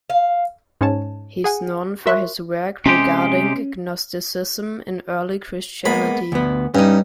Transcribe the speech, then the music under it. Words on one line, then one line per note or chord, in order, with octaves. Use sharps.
He is known for his work regarding Gnosticism in early Christianity.
F5
G#2 C#4 C#5 A5
G#4 F#5 G#5
F#4 A#4 E5 C6 C#6 F#6
C3 G#3 C#4 G4
G#3 A#3 B3 B5
D2 B3
G2 C#4 D#4